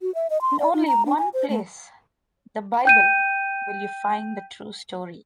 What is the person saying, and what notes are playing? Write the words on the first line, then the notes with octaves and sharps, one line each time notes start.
In only one place - the Bible - will you find the true story.
F#4
E5
D#5
C6
D5
D#4
A#5
D4
G#5
C5
A3
G5 G6 D#7